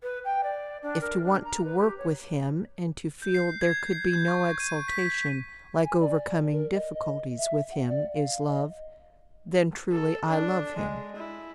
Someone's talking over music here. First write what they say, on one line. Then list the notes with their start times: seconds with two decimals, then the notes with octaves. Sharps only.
If to want to work with him, and to feel there could be no exultation like overcoming difficulties with him, is love, then truly I love him.
0.03 B4
0.25 G5
0.43 D5
0.83 D4
1.01 A#4
1.23 D4
1.44 A#5
1.64 B4
1.79 G4
1.98 C#5
3.22 G6
3.34 C7
3.61 G#6
3.93 C7
4.13 G6
4.28 C#6
4.60 D#7
4.88 B6
5.04 B6
5.84 G#5
5.99 D5
6.52 A#4
6.74 D#5
6.93 D#5
7.37 E5
7.71 F#5
7.88 D5
8.14 F5
8.47 D#5
9.92 A4
10.28 D4
10.77 G#3
11.16 E4